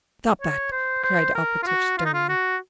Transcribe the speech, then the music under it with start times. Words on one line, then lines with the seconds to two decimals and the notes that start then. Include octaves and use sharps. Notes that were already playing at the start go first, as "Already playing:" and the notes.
"Stop that!" cried Alpatych sternly.
0.42 C#5
0.72 C5
1.04 C5
1.35 A#4
1.63 F4
1.66 F#4
1.98 F4
2.05 D#4
2.14 F4
2.29 F#4